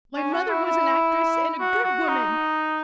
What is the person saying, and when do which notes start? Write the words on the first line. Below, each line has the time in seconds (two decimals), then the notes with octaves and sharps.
My mother was an actress and a good woman.
0.16 C#4
0.33 F#4
0.49 E4
0.65 E4
1.60 F#4
1.84 F#4
2.09 D#4